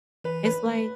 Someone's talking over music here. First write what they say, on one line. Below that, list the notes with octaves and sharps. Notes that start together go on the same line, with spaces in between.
It's, like
E3 B4
B4
A3